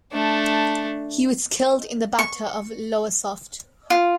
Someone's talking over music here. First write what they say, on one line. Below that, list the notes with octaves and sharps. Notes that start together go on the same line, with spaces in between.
He was killed in the Battle of Lowestoft.
A3 D4
C#6
F4